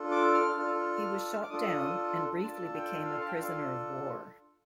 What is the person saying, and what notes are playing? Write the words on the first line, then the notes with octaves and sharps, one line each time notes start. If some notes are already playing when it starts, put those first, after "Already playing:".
He was shot down and briefly became a prisoner of war.
Already playing: D4 F4 A4
D6
F6
D4 F4 A4
D6
D4 F4 A4 D#6
D4 F4 A4 A5
G5
F5
A5
G5
D4 F4 A4 F5